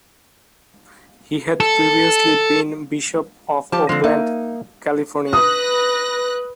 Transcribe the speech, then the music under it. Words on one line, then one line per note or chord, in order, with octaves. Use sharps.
He had previously been Bishop of Oakland, California.
A4
F3 G4 A5
D3 F3 G#3 C4
A#3 D#4 E5
B4 D#6 F#6 A#6